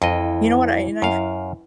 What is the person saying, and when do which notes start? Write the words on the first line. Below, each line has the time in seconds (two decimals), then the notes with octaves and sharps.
You know what? I and I f
0.02 F2 E3 D#5
1.02 F#2 F5